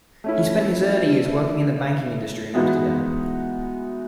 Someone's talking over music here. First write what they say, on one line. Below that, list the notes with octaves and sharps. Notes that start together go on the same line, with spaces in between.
He spent his early years working in the banking industry in Amsterdam.
A3 C#4 E4
E3 G#3 B3 D#4 F#4